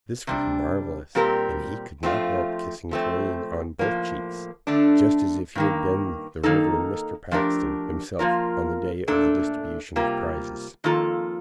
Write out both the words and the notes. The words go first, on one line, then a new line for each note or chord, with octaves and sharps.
This was marvelous, and he could not help kissing Toline on both cheeks, just as if he had been the Reverend Mr. Paxton himself, on the day of the distribution of prizes.
C3 G3 D4
A#2 G3 C4 G4 A#4
F3 A3 C4 F4
F3 A3 C4
A2 F3 A#3
D3 A3 D4
G2 D#3 A#3
D#3 A#3 D#4 A4
F3 A3 D4 G4 A#4
F3 A#3 F4 A#4
A#2 A3 D4 A4
C3 G3 A#3 F4
F2 D#3 A#3 F4 A4